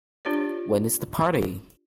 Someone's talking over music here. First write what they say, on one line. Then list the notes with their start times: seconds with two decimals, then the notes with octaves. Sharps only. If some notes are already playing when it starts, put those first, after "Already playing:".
When is the party?
0.25 D4 F4 G4 C#5 D5